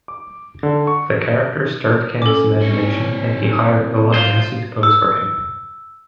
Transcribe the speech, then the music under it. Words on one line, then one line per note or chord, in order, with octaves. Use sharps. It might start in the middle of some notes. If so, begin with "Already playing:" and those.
The character stirred Caniff's imagination, and he hired Ilona Massey to pose for him.
D6
D3
C#6
C#4 A4 D6
A2 C4 C#5
F4 C5 C7
E6